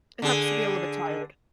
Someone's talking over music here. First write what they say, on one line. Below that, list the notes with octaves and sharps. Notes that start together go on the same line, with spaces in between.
It helps to be a little bit tired.
D3 G#4